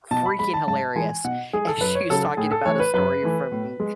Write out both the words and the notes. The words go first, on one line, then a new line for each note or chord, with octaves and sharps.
f freaking hilarious and she's talking about a story from
B2 A5
B5
G#3 B5
A5
G#2 A5
E3 G#3 G#5
B2 F#5
G#3 G#4
A4
F#2 B4
C#5
C#3 F#3 A4
A4
A2 G#4
A4
E3 A3 C#5
B4
F#2 B4
E3 A3
A2
G#3